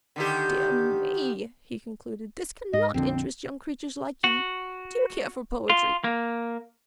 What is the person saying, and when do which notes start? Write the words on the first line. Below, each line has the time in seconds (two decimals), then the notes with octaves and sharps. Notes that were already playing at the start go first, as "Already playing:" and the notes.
"Dear me!" he concluded, "this cannot interest young creatures like you; do you care for poetry?"
0.16 D3 D#3 G4
2.73 G#2 D#5
2.94 A#1 F2 D3 C4
4.24 F#4
5.70 F4
6.04 A#3